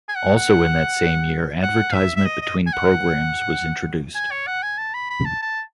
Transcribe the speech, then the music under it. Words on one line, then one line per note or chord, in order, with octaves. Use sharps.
Also in that same year advertisement between programmes was introduced.
G#5
F#5
F#5
F#5
E5
E5
D#5
D#5
G#5
F#5
G#5
C#5
F#5
G#5
A5
B5
B5
A5
A5